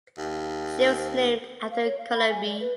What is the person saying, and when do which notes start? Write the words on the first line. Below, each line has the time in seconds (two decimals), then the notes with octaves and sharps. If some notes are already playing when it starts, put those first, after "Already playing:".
She was named after Colombie.
0.18 D#2
1.71 F5
1.84 C#5
1.98 F5
2.14 B5
2.29 G#5
2.46 D5
2.60 B4